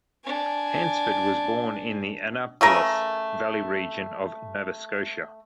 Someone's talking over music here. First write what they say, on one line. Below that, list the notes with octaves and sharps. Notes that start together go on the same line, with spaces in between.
Hansford was born in the Annapolis Valley region of Nova Scotia.
D4 G#5
C#3 A3 A#4 B4